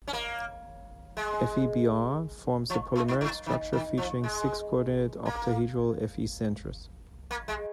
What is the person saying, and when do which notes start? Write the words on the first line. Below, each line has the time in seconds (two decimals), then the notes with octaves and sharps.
FeBr forms a polymeric structure featuring six-coordinate, octahedral Fe centers.
0.08 C#4
0.13 A#3
1.17 G#3
2.70 F3
2.96 A#2
3.08 G#2
3.21 G#2
3.46 D#3
3.73 D#3
3.98 F3
4.24 G#3
5.26 A#3
7.31 A#3
7.48 G#3